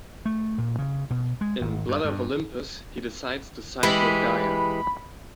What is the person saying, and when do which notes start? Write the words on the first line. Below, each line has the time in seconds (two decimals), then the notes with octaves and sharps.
In Blood of Olympus he decides to side with Gaia.
0.25 A3
0.58 A#2
0.79 C#3
1.10 B2
1.41 G#3
1.61 G#1
1.88 G2
2.05 G2
3.83 E3 G#3 G4 B5